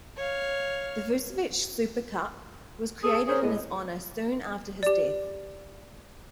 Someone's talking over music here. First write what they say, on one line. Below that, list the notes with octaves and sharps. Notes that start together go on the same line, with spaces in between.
The "Vukcevich Super Cup" was created in his honor soon after his death.
C#5 F5
G#4 A4
G#4 A#4 C5 C#5
A2 G#3
G4 D5